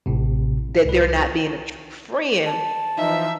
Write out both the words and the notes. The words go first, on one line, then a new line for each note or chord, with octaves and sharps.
that they're not being a true friend,
A1 A2 C3
C2 B4
A5
E3 F3 D#4 E5